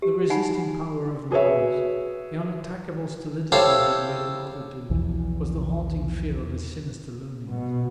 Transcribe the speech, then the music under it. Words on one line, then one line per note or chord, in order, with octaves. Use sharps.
The resisting power of numbers, the unattackable stolidity of a great multitude, was the haunting fear of his sinister loneliness.
G4
D#4 F#5 G#5 B5
F#4 G#4 B4 C#5 E5
E4 G4 A4 C5 C#5 F5
B1 E2 E3 F3
B2